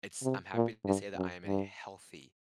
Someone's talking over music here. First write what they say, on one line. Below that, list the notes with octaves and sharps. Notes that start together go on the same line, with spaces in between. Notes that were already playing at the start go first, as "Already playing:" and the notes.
It's I'm happy to say that I am in a healthy
C3
A#2
G2
F#2
G2